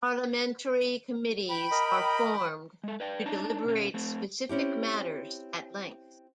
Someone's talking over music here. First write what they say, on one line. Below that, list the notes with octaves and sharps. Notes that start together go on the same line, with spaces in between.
Parliamentary committees are formed to deliberate specific matters at length.
G5 B5
A#4 D#5
G#3 A4
B4 D5 G5
D4 D#4 C#5 D5 A5 A#5
B2 C#4
A3 C4
C4 C#4 E4 G4